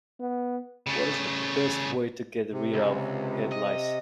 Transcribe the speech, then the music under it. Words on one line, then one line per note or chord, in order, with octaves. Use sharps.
What is the best way to get rid of head lice?
B3
C#3 A3
C3
C#2
D#5